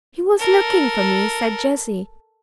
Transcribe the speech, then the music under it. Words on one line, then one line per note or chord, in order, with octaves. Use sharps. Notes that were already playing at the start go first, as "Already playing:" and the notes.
"He was looking for me," said Jessie.
A4 A#4